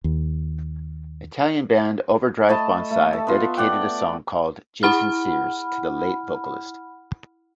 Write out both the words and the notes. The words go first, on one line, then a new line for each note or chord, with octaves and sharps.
Italian band Overdrive Bonzai dedicated a song called "Jason Sears" to the late vocalist.
D#2
A3 D#5 A5 B5
A3
A4
B3 F4
D5 F#5 G5
E4 F#5 B5 F6